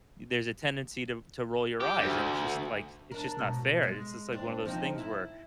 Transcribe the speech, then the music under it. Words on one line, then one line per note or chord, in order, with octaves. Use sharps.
there's a tendency to to roll your eyes, and it's just, like it's just not fair. It is just like one of those things where
G4
D2
D4 A#4
G#2 B2
G#3
C4 D4
F3 C4 D#4
E4